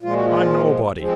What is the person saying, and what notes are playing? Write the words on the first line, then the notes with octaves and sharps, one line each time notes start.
I'm nobody.
A#2 F3 G#3 F4
F#4
F4
F3 G#3 C4